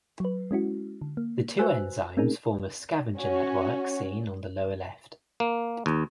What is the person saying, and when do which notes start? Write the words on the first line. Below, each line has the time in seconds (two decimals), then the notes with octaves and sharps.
The two enzymes form a scavenger network seen on the lower left.
0.20 F#3 B4
0.51 G#3 C#4 E4 F#4
1.01 D3
1.17 A#3
1.59 F#4 B4 C5 G#5 E6 F#6
2.17 A3 C4 C#4 D#4 G#4 A#4
3.17 C#4 F#4
5.40 A#3
5.86 D#2